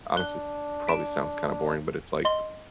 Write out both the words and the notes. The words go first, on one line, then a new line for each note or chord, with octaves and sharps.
honestly, probably sounds kinda boring, but it's, like
D4 F#6 G7
B6 D7 E7
D#5 C6 G7